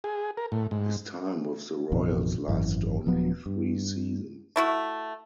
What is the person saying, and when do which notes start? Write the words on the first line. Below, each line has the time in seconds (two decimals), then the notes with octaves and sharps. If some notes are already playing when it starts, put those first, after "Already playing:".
His time with the Royals lasted only three seasons.
0.04 G#4
0.37 A#4
0.52 A2
0.71 G#2
1.92 A1 F2 B2 D#3
2.48 G#1 F#2 E3
3.06 D#1 F3 F#3 B3
3.46 G2
4.56 A3 E4 F#4